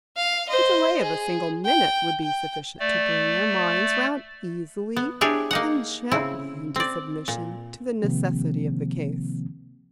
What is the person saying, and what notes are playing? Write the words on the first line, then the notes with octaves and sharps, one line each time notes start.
The delay of a single minute would be sufficient to bring their minds round easily and gently into submission to the necessity of the case.
F5
C5 D#5
G#4
G5
G5
A3 D5
B3
D4 E4 G4 G#4 C#5
A#3 D#4 F#5
C#3 C4 E4
C4 D5
A#2
C3 D#3 F3 A#3 C4